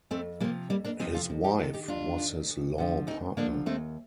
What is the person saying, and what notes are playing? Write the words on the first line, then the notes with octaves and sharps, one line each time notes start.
His wife was his law partner.
F2 A3 C4
C3 F3 G3 A#3
F2 G3 A#3
A#3 D4
C3 F3 C4 D#4
F4 A4
F2
D#4 G4
D#3 F4 A4
D#4 G4
F2 D4 F4
D#3
D2
D3 F3
D2 C4 D#4
D3 F3 A#3 D4
D#2 A3 C4